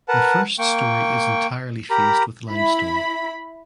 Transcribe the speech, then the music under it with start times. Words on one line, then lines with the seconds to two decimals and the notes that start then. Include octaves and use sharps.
The first story is entirely faced with limestone.
0.08 A#4 B4 F#5 A5
0.59 A#3 G5 C#6
1.90 G4 A#4 A#5 B5
2.51 E4 B5